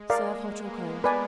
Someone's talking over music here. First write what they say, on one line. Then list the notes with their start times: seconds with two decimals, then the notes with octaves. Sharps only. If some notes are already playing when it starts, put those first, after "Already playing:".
Serve hot or cold.
Already playing: G#3
0.09 A#3 A#4 D5 F5
0.56 B3
1.04 B4 D5 G#5